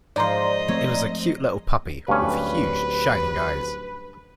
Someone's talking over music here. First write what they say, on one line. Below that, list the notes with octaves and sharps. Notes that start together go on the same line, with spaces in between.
It was a cute little puppy, with huge shining eyes.
G#2 F3 C5 D5 D#5 A#5 C6
F3 A3 C4 C#5
D1 G2 G3 A3 C#4 B4